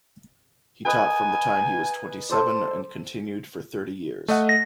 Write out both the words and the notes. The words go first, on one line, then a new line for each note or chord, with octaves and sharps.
He taught from the time he was twenty-seven and continued for thirty years.
A#4 B4 D#5 G#5
A4 C5 D5
A3 D#5 F#5
A#6